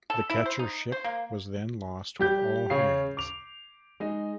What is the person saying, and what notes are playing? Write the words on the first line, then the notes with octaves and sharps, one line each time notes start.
The catcher ship was then lost with all hands.
A4
E4
C5
D#4
C5
A#3
G3 G4 G6
C#3 C#5 F5 C7
D6 F7
G#3 D#4